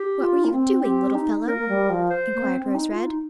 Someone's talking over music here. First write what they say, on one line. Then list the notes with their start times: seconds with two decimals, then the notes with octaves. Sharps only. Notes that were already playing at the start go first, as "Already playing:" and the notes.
"What were you doing, little fellow?" enquired Rose-Red.
Already playing: G4
0.19 F4
0.44 A#3
0.52 C4
0.83 C4 G4
1.15 D#4
1.46 A#3 A#4
1.58 A#3
1.68 G3
1.90 F3
2.10 C5
2.35 A#3
2.43 C4
2.63 C4
2.74 D#4
2.91 F4
3.06 D#4